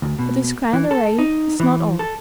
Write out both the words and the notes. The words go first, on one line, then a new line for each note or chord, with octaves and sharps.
But this grand array is not all.
D2
B2
E3
A4
D#4
E3
A4